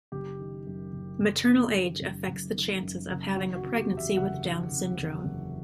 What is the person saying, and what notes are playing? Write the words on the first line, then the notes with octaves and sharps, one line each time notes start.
Maternal age affects the chances of having a pregnancy with Down syndrome.
F#1 G4
D#3
F#2
F#1
F#1
D#3
F#2
F#1
F#1
D#3
F#2
F#1
D#3 F#4
F#4
C3
G4
E2
E5
F#1 F#5
D#3
C3
E2
F#1